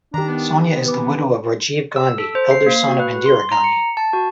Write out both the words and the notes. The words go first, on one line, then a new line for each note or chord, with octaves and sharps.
Sonia is the widow of Rajiv Gandhi, elder son of Indira Gandhi.
D#3 D4 G4 A#5
B3
E3 B4 D6
E6
A4
C5
C7
A#3
F#4
B4
C6
A#5
C#7
A5
F#4